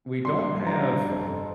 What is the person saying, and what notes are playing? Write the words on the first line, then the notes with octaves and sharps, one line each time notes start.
we don't have
G2 C6
G2
D3 A#5
G1
F2
F2